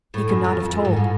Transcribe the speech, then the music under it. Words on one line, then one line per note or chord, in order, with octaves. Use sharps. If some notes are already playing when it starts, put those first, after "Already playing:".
He could not have told.
A2
F#2
F2
F2
F2
G#2
A2